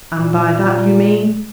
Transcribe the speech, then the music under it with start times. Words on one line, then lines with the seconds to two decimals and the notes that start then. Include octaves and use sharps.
"And by that you mean?"
0.16 A#2